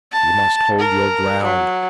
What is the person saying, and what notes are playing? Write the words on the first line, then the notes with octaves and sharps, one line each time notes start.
"You must hold your ground."
A5
A#4
F#3